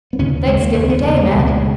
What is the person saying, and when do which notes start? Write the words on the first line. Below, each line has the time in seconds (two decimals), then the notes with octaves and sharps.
'Thanksgiving Day, man!
0.13 B3
0.19 D#2 C#3 C#4
0.46 C#3 G#3
0.52 D#2
0.61 A#3
0.74 D#2 A#3
0.77 C#3
0.89 B3
1.02 E2 B3
1.07 C#3
1.16 A#3
1.31 C#2 B2 G#3
1.39 A#3
1.47 G#3
1.59 C#3